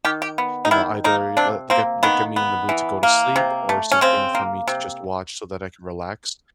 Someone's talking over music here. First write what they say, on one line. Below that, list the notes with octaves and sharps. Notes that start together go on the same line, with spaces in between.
you know, either, l like get like get me in the mood to go to sleep or something for me to just watch so that I can relax,
D#3 G4
G4
B3
D#4
D#3 E4
A#3 D#4
C3 D4
A#3 C4
D#3 B3
B3
E3
A#3
C3
A3
C#4
C#3 C4
A#3
C3